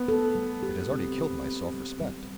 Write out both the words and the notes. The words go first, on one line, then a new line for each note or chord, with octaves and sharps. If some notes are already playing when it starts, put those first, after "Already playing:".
It has already killed my self-respect.
Already playing: B3
A4
G3
G4
C4
G4
C4
G3
G3